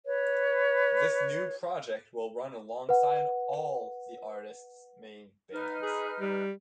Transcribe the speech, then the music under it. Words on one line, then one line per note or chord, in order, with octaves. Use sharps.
This new project will run alongside all the artists' main bands.
B4 C#5
B4 F#5
D#4 B4 F6
G#4
G3